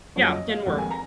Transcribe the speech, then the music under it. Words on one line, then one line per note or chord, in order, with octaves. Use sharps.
Yeah, didn't work.
F#1 F#2 F3 C#5
D#5
F5
F1 D#2 D#3 G#3 F#5
G#5
A#5